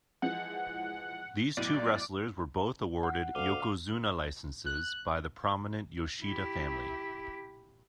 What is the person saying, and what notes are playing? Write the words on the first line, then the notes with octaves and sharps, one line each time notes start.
These two wrestlers were both awarded "yokozuna" licences by the prominent Yoshida family.
E3 F3 G#3 F#5
B1 A2 D5 D#7
F#5
D2 F5 D6 D#7 G7
F#6
E4 G4